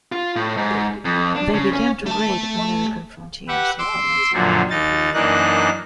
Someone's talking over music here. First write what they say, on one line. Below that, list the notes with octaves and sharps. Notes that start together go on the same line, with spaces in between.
They began to raid American frontier settlements.
F4
A2
G#2
F2
D4
C#3
C#4
A3 A5
G4 B4 E5 F#5
C6 D6 E6
F#2 A#2 D3 F3 F#3
D#2 D#4 A6
F#2 E3 A#3 D4 D#4 F#6